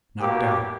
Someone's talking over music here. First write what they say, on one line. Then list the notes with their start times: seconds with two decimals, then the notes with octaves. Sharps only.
Knocked out.
0.20 B2 A#3 G4